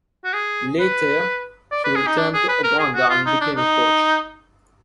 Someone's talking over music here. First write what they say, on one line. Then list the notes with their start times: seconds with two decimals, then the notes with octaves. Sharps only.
Later he returned to Uganda and became a coach.
0.24 F#4
0.34 G#4
0.80 B4
1.72 D5
1.84 B4
1.96 G#4
2.07 D#4
2.18 D4
2.34 G#4
2.49 B4
2.64 A#4
2.79 G#4
2.95 F#4
3.10 F4
3.26 D#4
3.41 D4
3.57 D#4